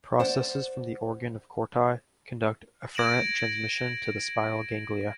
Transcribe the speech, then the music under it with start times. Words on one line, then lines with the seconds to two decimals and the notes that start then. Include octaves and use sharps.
Processes from the organ of Corti conduct afferent transmission to the spiral ganglia.
0.19 C5 D5 F#5
2.95 G#6 A#6 D7 E7 F#7